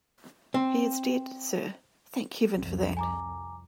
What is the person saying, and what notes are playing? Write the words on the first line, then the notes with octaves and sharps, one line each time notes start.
'He is dead, sir.' 'Thank heaven for that.'
C4
C2 F2
G#5 A#5 D6